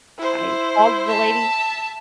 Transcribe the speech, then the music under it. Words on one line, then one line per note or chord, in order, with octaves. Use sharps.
I called the lady
E4 C5
E5 A5